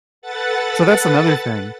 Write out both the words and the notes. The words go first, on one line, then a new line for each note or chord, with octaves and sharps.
so that's another thing.
A4 B4 F#5 A6